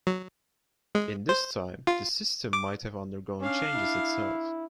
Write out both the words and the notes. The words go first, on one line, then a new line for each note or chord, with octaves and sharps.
In this time, the system might have undergone changes itself.
F#3
G#3
C5
F4
D6
C#4 D4 F5
E4